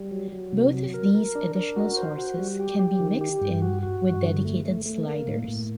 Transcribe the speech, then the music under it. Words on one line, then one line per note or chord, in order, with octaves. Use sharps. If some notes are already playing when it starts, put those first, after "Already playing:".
Both of these additional sources can be mixed in with dedicated sliders.
Already playing: G3
F#3
F#3
C3
F#3
A#4
A#4
D4
A#4
F#4
C5
F#4
G3
G4
G4
D#3
G4
G2
F#4
F#4
G2
D3
A3
A3
A3
A#3
A2
A2